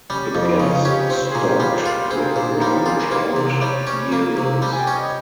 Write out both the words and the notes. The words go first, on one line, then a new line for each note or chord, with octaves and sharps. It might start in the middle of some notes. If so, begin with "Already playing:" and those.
It gets stocked with brown trout yearlings.
G3 C#4
F2
C4
C#4
C#3 D#4
C#4 G4
C4 F4
C5
G#4
A#2 A#4
G#4
G4
G3 F4
F4
C4 G#4
A#4
G#4
A#2 C5
G3 A#4
F4 G#4
A#4
A#3 C5
C3
G3 C#5
C#4
A#3
C3
G3
G#5
G5
C#4
D#5